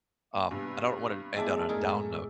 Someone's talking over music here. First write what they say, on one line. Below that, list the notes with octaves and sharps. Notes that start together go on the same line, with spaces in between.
Um, I don't wanna end on a down note,
A#3 G#5
G2 C3 B3 B4 E6
G#3 A3 B3 E4 D5 E5 A5
F#2 A2 G#3 A3 D#4 G#4 A#4
C#6 D6 E6